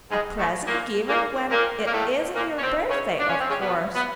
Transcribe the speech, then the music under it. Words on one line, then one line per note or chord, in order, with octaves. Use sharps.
'A present given when it isn't your birthday, of course.'
G#2 G#3
A2 A3
A#2 A#3
A#2 A#3
A#2 A#3
A#3
A2 A3
A#2 A#3
C#4
C3 C4
C#3 C#4
D4
C#4
C4
C#3 C#4
B2 B3
B3